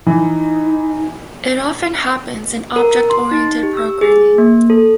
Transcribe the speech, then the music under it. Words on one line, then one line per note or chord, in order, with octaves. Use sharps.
It often happens in object-oriented programming.
E3 D#4
A#4
C6
D#4
G4
E6
G#4
A#3
A4